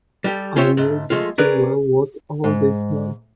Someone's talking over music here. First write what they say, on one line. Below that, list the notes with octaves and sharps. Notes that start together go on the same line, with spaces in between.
I knew but too well what all this meant.
G3 G4 A4
C#4 F4 G4 C5 C#5 E5
C#2 G#2 A3
F3 G#3 A3 F4
C#4 G#4 A#4 B4 D5
G#2